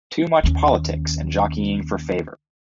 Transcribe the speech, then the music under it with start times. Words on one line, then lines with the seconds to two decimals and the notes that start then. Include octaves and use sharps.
Too much politics and jockeying for favor.
0.44 D#2 C#4